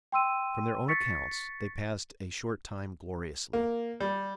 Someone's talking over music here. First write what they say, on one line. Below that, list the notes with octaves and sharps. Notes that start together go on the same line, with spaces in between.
From their own accounts, they passed a short time gloriously.
G5 C6 E6 D#7
C#6 A6 B6 C#7
A#3
G3